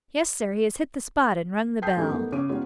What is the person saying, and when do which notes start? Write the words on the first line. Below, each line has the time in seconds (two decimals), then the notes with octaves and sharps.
Yes, Sir, he has hit the spot and rung the bell.
1.82 G5 A5 D#6 G6 C7
1.97 G#2 F3 A3 C#4 D#4 G4
2.09 A3 B3 D#4 A#4
2.32 C#3 C#4 D6 D#7
2.49 G#3 B3 C#4 D#4 F4 G4